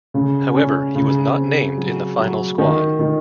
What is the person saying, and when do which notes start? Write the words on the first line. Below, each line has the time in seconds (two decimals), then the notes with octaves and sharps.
However, he was not named in the final squad.
0.14 C#3
0.55 C#4
0.95 C#3
1.36 C4
1.77 F#3
2.17 F#3
2.58 D#3
2.99 D#3